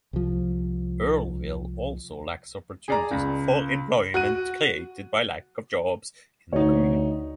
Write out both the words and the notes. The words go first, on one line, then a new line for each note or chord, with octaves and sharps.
Earlville also lacks opportunities for employment created by lack of jobs in the community.
C2 F3
G#4 D5 A#5
C#2
F#4 F#6 D#7
D2 D#4 F#4 C#5